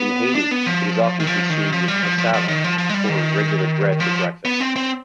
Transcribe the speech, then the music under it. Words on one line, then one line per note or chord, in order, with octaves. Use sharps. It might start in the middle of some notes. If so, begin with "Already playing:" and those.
In Haiti, it is often consumed with cassava or regular bread for breakfast.
Already playing: B3
D4
B3
F3
D#3
F3
D#3
F3
G3
F3
F3
F3
D#3
F3
F3
G#3
G3
D#3
F3
B3
C4
C4